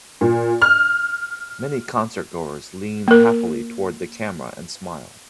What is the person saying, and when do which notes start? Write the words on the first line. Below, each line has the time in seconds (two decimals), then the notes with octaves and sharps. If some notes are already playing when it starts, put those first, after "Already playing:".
Many concertgoers lean happily toward the camera and smile.
0.21 A#2
0.62 F6
3.08 A#3 A#4